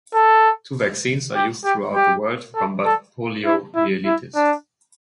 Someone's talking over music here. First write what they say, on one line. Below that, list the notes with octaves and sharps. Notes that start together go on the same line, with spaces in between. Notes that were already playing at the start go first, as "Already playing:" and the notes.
Two vaccines are used throughout the world to combat poliomyelitis.
A4
G4
G4
G4
A4
A4
E4
E4
E4
D4